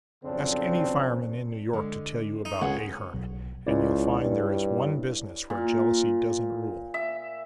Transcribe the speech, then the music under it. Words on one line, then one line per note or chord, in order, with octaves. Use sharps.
Ask any fireman in New York to tell you about Ahearn, and you'll find there is one business where jealousy doesn't rule.
B1 F2 C#3 C4 D4
D3 G#3
D#4
C#2 G#4 C#5 F#5
B1
C#2 E4 C#5 D5
G2
A#2
E5